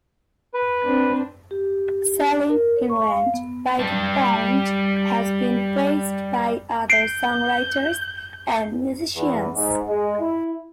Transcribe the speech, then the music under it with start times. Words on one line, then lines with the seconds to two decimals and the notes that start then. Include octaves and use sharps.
"Selling England by the Pound" has been praised by other songwriters and musicians.
0.54 B4
0.85 C4 D4
1.51 G4
2.49 A#4
2.76 C#5
2.90 C#6
3.09 F5
3.34 B3
3.79 G3 A5
6.90 G6 C7 D7
9.16 E2
9.56 G#2
9.87 G#3
10.20 E4